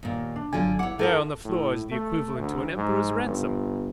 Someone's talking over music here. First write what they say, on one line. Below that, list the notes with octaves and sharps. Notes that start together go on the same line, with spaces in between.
There on the floor is the equivalent to an emperor's ransom.
D#2 A#2
D4
G#1 D3 F#3 F4 G#5
E4 C#5 F#5 D6
A3 E4 A4 A#4 F#5
A2
A3
D2
G#2
G1